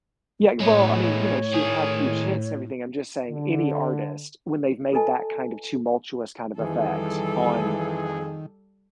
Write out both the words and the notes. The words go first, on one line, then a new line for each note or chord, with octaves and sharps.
Yeah, well, I mean, you know, she had had huge hits and everything. I'm just saying any artist when they've made that kind of tumultuous kind of effect on
A2 G#3 B3 C#5
D#3 G#4
D3
F4 A4 B4 D#5 G#5 A5
F2 D#3 E3 G3 G#4 A4